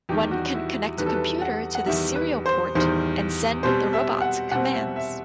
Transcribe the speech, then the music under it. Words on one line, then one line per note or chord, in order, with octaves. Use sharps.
One can connect a computer to this serial port and send the robot commands.
E2 D#3 G3 G4
F#4
E4
E2 D#3 G3 B4
A4
B4
F#5
F#5
E2 D#3 G3 E5
B4
C5
E2 D#3 G3 C5
B2 G3 C4 C5
E5
F#5
B2 G3 C4 F#5
E5
E5